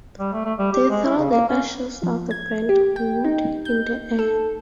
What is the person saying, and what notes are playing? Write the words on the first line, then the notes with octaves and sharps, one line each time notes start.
They throw the ashes of the burnt wood in the air.
G3
A3
A3
G3
G4
G#3
E4
C#3
A#3
C#4
F3
G#6
G4
G5
D#4
G6
A4